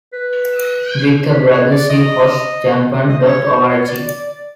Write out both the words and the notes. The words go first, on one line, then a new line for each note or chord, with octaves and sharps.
With her brother, she hosts Chanpon dot org.
B4
B4
C#5
D5
D#5
D#5
C5
C#5
C5
C#5
D5
D5
D5